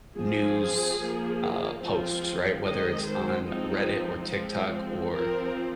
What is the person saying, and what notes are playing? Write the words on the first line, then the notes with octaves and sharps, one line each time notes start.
news, uh, posts, right? Whether it's on Reddit or TikTok or,
F3 C4 G#4
F3 A#3
F3 G#3 C4 F4
D#3 G#3 C4 D#5
C5
F3 G#3 C4 D#4
F3 G#3 C4
F3 C4 A#4